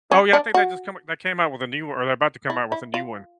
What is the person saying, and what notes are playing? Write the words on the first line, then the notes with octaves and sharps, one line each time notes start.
Oh, yeah, I think they just come i they came out with a new o or they're about to come out with a new one.
C#4
D4
F#4
E4
E4
F4